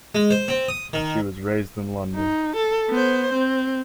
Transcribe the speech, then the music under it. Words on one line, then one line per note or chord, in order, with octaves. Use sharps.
She was raised in London.
G#3
C5
C4
D#6
D#3
D#4
A4
B3 C5
C4